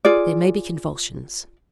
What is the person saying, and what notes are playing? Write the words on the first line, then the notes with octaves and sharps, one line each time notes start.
There may be convulsions.
F4 G#4 D5